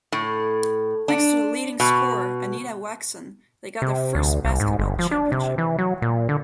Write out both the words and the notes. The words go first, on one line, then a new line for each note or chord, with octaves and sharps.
Thanks to the leading scorer, Anita Waxen, they got their first basketball championship.
A2
D4
B2
C3
D2
C2
G#2
G1
F3
D4
C3
E3
F#3
A#2
D3